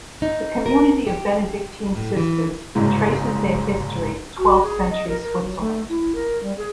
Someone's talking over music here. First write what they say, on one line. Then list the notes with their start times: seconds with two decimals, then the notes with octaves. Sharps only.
The community of Benedictine sisters traces their history to twelfth-century Switzerland.
0.22 D#4
0.66 A#4
1.07 G4
1.95 A2
2.17 E3
2.75 F#1 C2 G#2 G#3
4.38 F#4
4.64 G#4
4.90 D#5
5.08 A#4
5.22 A#4
5.41 F#3
5.60 A3
5.89 E4
6.15 A#4
6.43 G3
6.58 G#4